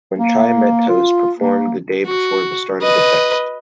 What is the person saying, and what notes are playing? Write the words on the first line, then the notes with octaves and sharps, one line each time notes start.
When Chai Met Toast performed the day before the start of the fest.
A#3
F4
A#3
F#4
B4 D#5